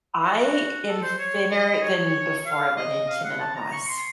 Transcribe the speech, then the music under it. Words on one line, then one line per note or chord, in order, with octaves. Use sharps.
I am thinner than before I went into menopause.
F#4
F#4
A4
C5
C#5
D#5
C#5
F5
D#5
F5
F#5
A5
A#5
C#6
C6